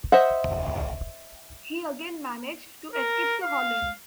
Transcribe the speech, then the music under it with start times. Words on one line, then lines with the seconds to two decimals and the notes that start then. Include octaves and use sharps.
He again managed to escape to Holland.
0.12 C5 D#5 E5 F#5
2.94 A#4
3.43 F5